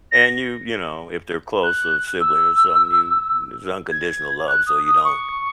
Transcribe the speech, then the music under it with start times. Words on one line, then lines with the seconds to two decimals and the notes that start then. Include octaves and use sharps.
and you you know, if they're close, a sibling or something, you there's unconditional love, so you don't
0.11 A#6
1.63 F#6
2.20 E6
3.91 G#6
4.47 F#6
4.66 D#6
4.85 D#6
5.04 C#6